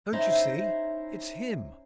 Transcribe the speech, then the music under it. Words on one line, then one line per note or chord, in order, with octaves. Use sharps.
"Don't you see? It's him!"
C#4 D#4 E4 C5 E5 A#5